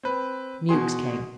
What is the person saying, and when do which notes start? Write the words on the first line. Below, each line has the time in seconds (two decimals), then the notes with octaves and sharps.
Mewks came.
0.03 C4 B4
0.69 B2 F#4 G#4 C6